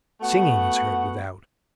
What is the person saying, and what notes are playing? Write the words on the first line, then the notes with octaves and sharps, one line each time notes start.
Singing is heard without.
A3 B3 F#4 F#5